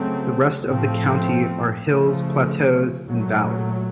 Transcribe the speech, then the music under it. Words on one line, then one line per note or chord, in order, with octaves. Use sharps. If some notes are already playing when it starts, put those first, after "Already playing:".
The rest of the county are hills, plateaus, and valleys.
Already playing: C#3 F#3 A3 C4
A2 F3 A3 C4
C#3 F3 A3
A#2 F#3 A3